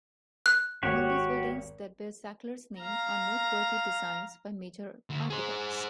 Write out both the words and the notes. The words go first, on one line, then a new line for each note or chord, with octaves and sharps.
Among these buildings that bear Sackler's name are noteworthy designs by major architects.
F#6
G#1 D#2 F#4 G4 C#5
F5 A#5
D2
G#4 C5